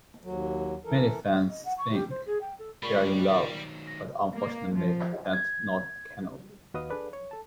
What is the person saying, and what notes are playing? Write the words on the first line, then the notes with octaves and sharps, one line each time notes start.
Many fans think they're in love, but unfortunately that's not canon.
D#2 F#3
E3 A4 A#4
D#5
F#5
C#6
G4
C5
G#4
G5
A4
A#2 G3 G#3 C#4 B5 C#6 C7
D#3 F#3
A#6
A#3
F3
G#6
D#2 F#4 B4 D#5 F5 D#6
D4 G#4 A4 B4 D5
C#5
A4 A5